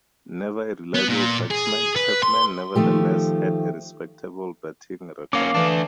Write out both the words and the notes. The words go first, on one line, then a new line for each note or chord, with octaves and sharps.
Never a reliable batsman, Chapman nevertheless had a respectable batting record.
B3
A#2
G#4
B4
C6
D#3 F3 A3 G4
A#3 C#4 F5 D6
E3 A3 D4